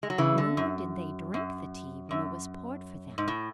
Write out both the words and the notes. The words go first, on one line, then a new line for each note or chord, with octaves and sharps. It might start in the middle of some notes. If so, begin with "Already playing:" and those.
Nor did they drink the tea when it was poured for them.
G#3
F#3
C#3 E3
D3
F#2
F#2
F#2
G#2
A2